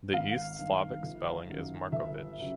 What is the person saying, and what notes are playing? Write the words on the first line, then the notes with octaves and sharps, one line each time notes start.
The East Slavic spelling is Markovich.
G#1 F5
G2 D#3
G1
F#2 D#3 F#3
G1 E5
C#3 F#3